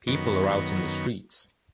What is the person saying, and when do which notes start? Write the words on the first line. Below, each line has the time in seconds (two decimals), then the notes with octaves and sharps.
People are out in the streets.
0.07 F#2 D#3 B3 C#6